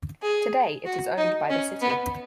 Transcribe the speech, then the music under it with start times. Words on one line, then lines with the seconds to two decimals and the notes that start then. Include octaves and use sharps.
Today it is owned by the city.
0.22 G#4
0.86 F#4
1.17 D#4
1.50 C#4
1.82 B3